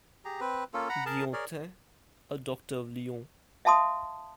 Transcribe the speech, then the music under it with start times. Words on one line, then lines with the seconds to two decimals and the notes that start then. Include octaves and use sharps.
Guillotin, a doctor of Lyons.
0.25 G4 G#4 A#5
0.41 C4 B4
0.74 A#3 C#4 F4 A4
0.89 F#5 A#5 B5
1.06 G#4 A#4 A5
1.33 G#4 A#4 C#5 D5
3.65 E5 F5 A5 C6 D#6